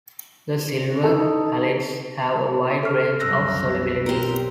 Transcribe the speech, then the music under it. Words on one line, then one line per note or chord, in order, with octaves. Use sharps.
The silver halides have a wide range of solubilities.
D#4 A4
A4 C6 F6
C2 F#2 G3 E6 F#6 A#6
B1 C4 G4 A#4